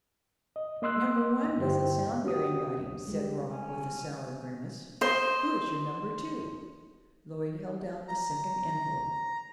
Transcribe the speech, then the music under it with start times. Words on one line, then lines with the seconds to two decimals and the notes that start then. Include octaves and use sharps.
"Number one doesn't sound very inviting," said Rob, with a sour grimace. "Who is your number two?" Lloyd held out the second envelope.
0.56 D#5
0.82 A#3 D#5 C6 E6 F#6
1.58 G2 D3 E4 G4 C5 G5
2.25 C#4 F#4 G4 D#6
3.07 G3 G#3 G4
3.50 C#4
5.01 C5 D#5
8.08 A#5